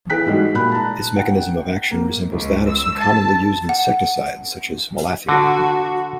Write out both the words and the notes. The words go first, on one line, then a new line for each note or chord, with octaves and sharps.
Its mechanism of action resembles that of some commonly used insecticides, such as malathion.
E3 G#4 G5 F#6 B6
G#2 G3 G#3 F#4
A#2 B5 F#6
A5 A#5
F#5 G5
A#3
C#2
E6
A5
F#5
D3 F#4